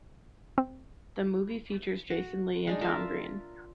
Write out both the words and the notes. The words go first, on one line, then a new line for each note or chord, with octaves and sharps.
The movie features Jason Lee and Tom Green.
C4
F#4
G#3 D4 D#4
F4 A#4 E5 A5